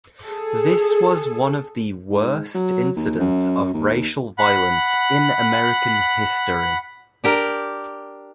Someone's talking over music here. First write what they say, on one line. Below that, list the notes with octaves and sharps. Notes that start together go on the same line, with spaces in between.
This was one of the worst incidents of racial violence in American history.
G#4 A4
G#2
F#3
D#2
F#2
D#2
F#5 B5
D4 G4 A#4